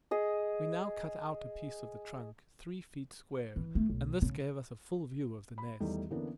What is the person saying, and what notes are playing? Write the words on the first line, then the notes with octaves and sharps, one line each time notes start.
We now cut out a piece of the trunk, three feet square, and this gave us a full view of the nest.
G#4 D#5
E3
A3
B1
C#3
B5
E2 D#3 G3 A3
D3 E3 A#3 B3 C#4 D4